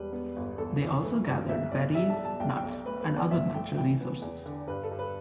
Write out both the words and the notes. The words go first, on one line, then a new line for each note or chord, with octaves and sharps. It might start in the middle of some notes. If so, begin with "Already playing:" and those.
They also gathered berries, nuts and other natural resources.
Already playing: E1 G3 B4
B3
G1
E2 A4
E3
A3 B4
G2 D5
B1 E5
B1 D5
G3 E5
A5
G3
A5
B1 G5
G5
B1
D5
A3 B4
B4
B1
D5
G1 E5
A3 G5
E3 G5
B3
E2
D3
G2 B4
A4
G2
B4